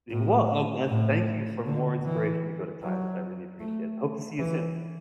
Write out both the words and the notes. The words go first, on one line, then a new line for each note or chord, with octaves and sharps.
It wa and and thank you for more inspiration to go to Thailand. I really appreciate it. Hope to see you soon.
A2
A2
D3
E3
F#3
A3
E3